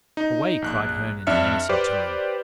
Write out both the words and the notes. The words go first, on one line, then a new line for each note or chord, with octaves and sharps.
"Away!" cried Herne in a menacing tone.
D#4
A#1 F#6
F2 D4 E5 F6 C#7
G4 B4 C5 D5